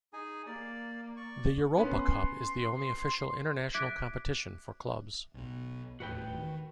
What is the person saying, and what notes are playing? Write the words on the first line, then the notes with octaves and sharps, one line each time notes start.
The Europa Cup is the only official international competition for clubs.
D#4 G#4 G#5
A#3 D5
D5 C#6
B3 C#4 B4 C6
E5 D6 F#6 G#6 B6 D7
B1 B2
D#1 E2 A2 F#4 B4 G5
D#3